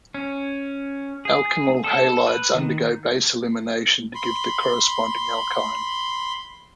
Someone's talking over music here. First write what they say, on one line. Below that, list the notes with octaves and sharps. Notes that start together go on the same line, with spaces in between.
Alkenyl halides undergo base elimination to give the corresponding alkyne.
C#4
G#4
A4
B4
D#3
B5 C6